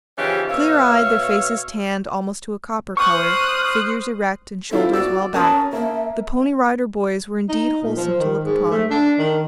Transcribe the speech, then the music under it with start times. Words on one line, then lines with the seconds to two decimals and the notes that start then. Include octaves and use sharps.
Clear-eyed, their faces tanned almost to a copper color, figures erect and shoulders well back, the Pony Rider Boys were indeed wholesome to look upon.
0.17 C#3 E3 F3 C#4 D#4 G4
0.49 B2 C#5 E5 F5
2.97 C5 C#6 D#6 F6 F#6
4.71 C4 E4 F4 A4
4.93 F#4 D5 E6
5.34 C#4 A#4 A5 D#6
5.73 A#3 E5
7.49 D#4
7.82 A#2
7.97 F3
8.19 D#3
8.44 G#2
8.71 A3
8.91 D4
9.19 D#3